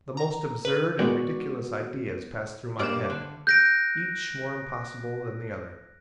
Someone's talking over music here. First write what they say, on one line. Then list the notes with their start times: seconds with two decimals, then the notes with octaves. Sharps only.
The most absurd and ridiculous ideas passed through my head, each more impossible than the other.
0.17 A#5
0.65 B4
0.99 D#3 G#3 B3 F#4 D5
2.79 G2 A#3 D5 D7 E7
3.10 D3
3.47 F#6 G6 A#6 D7